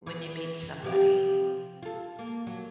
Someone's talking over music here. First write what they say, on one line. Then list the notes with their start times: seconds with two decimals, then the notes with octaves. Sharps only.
when you meet somebody.
0.06 E2 E3
0.82 C3 F3 G4
1.83 F4 A4
2.19 A#3
2.47 F#3